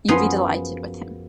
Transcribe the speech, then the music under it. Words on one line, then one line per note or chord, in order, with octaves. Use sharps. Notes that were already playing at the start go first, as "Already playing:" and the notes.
You’ll be delighted with him.
F#2 F3 B3 G#4 C6